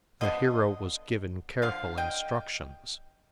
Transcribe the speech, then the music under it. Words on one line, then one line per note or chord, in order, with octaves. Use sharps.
The hero was given careful instructions.
D3 F3 B3 D#5
D3 F3 F5
D#5 G5